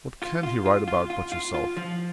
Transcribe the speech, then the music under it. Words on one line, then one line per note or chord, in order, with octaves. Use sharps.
What can he write about, but yourself?
F4
F4
F4
F4
F4
F4
F4
F3